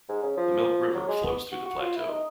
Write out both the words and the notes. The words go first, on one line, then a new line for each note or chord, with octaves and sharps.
The Milk River flows through the plateau.
G#2
C#3
F3
F#3
G#3
B3
F#4
F#4
F4
E4
D#4